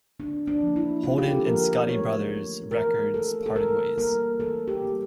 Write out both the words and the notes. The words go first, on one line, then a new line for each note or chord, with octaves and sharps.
Holden and Scotti Brothers Records parted ways.
D3 D4
D4
F3
A#3
E4
D3 F4
G4
A4
F3 A#3 A#4
E3 C#5
A3
E3 A#4
A3 A4
A4
E3 A#4
G3 A#3 A#4
E3 A4
G4
G3 A#3